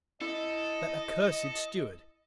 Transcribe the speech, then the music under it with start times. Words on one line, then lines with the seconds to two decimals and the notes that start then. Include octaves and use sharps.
That accursed steward!
0.21 E4 A4 D#5